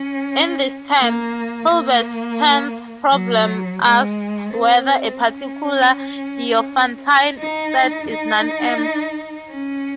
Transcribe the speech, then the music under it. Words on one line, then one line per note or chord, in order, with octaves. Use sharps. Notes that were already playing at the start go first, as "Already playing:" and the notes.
In these terms, Hilbert's tenth problem asks whether a particular Diophantine set is non-empty.
Already playing: C#4
A#3
A#3
F#3
G#3
C4
C#4
D#4
D#4
C#4